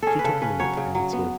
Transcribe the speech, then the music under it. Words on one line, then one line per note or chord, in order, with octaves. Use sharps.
She took a minute to answer.
C#4 G#4 A4
B4
C#3 A4
C#4 B4
F#3 C#5
C#3
F#3
B3